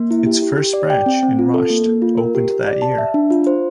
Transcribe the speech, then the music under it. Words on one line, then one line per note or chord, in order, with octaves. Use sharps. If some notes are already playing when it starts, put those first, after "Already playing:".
Its first branch, in Rasht, opened that year.
Already playing: A#3
E4
G4
G4
G4
D5
G5
C4
C4
F4
A4
A#3
A#3
F4
A#4
G4
G4
D5
A5
E5
D4
F4
C5